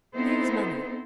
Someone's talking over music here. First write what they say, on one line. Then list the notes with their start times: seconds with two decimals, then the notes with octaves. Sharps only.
Here is money.
0.14 B3 C4 D#4 E4 A4 C5